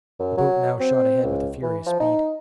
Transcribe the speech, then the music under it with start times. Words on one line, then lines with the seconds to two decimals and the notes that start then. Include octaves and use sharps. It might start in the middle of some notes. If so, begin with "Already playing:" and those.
The boat now shot ahead with furious speed.
0.19 F#2
0.37 F#3
0.80 C4
1.24 C#2
1.62 E3
1.86 F3
2.00 D#4